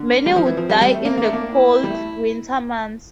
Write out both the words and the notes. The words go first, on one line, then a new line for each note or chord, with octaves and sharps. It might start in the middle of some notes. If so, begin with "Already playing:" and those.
Many would die in the cold winter months.
Already playing: D3
A#3
G3
F3
E3 C4
F3
G3
G3
A3
A#3
A#3 D4
A3
A#3
E4
G3
A3